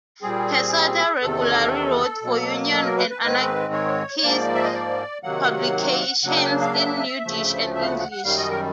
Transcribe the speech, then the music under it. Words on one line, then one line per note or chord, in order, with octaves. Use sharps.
Pesotta regularly wrote for union and anarchist publications in Yiddish and English.
A#2 G3 C4 G#4
E2 C3 D#3 A4
B2 F#3 A#3
A4
A#4
B4
B4
G#2 D#3 G#3 C4 B4
C#5
C#5
G#2 F3 A#3 D5
E5
D#5
D5
C3 D#3 F#3 A#3 F#5
C#3 F#3 A#3 D4 F#5
G5
F5
E5
D2 C#3 F3 A3
E5
F5
F#5
F#5
F#5
F#2 D#3 G3 F5
D#5
A#4